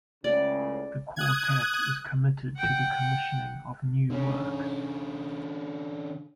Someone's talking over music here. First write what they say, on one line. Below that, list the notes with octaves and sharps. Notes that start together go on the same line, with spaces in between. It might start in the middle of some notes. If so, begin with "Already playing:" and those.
The quartet is committed to the commissioning of new works.
C#2 A2 C#3 D5
D#6 F#6 G#6
F#5 G5
D3 C#4